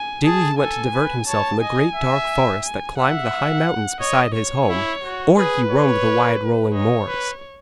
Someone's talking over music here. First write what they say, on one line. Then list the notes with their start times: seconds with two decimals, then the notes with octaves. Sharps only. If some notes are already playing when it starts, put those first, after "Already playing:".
Daily he went to divert himself in the great dark forest that climbed the high mountains beside his home, or he roamed the wide rolling moors.
Already playing: G#5
0.25 G#4 A5
0.59 A4 G#5
0.93 B4
1.27 C#5 A5
1.61 D#5 G#5
1.95 E5
2.64 G#5
2.98 E5 F#5
4.00 C#5 D#5
4.35 C#5
4.69 E4
5.03 F#4
5.37 G#4 B4
5.71 C#5
6.73 C#5 D#5
7.08 B4